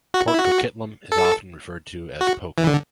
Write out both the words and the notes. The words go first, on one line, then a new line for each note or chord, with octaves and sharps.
Port Coquitlam is often referred to as PoCo.
F#4
E4
F#4
A4
F#4
E3
D3